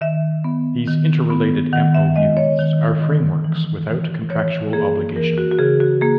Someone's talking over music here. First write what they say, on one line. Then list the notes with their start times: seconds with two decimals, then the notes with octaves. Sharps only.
These interrelated MoUs are frameworks without contractual obligation.
0.01 D#3 E5
0.44 B3
0.87 D#3
1.30 B3
1.73 D#3 F#5
1.94 E5
2.16 G#3 D#5
2.37 C#5
2.59 D#3
3.02 D#3
3.44 E3
3.87 E3
4.30 E3 C#5
4.73 A#3 G#4
5.16 E3 A#4
5.38 F#4
5.51 F#4
5.59 C#3 G#4
5.80 F#4
6.01 A#3 G#4